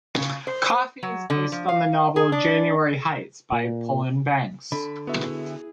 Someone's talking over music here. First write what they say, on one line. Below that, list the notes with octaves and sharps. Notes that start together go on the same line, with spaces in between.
Coffee is based on the novel "January Heights" by Polan Banks.
C#3
C5
F#3
D3
F3
F5
G#4
D4
A#2
D3 B5
B3 E4 F#4 G#4 E5